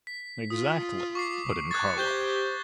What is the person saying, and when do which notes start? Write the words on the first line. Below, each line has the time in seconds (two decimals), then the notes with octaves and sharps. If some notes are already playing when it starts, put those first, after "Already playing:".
"Exactly," put in Carlyle.
0.07 B6
0.50 F4 D#6
1.15 C#6 D6 C7
1.71 C#6 F#6 G#6 A6
1.98 G4 C5 C#6 G6 G7